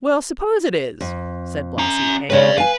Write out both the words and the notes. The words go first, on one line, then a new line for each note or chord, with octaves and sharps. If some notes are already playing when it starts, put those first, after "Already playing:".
"Well, suppose it is," said Blasi, angrily.
F2
C#4 A#5
C#3 G#3 C#4 B4 D5
B4 F5 G#5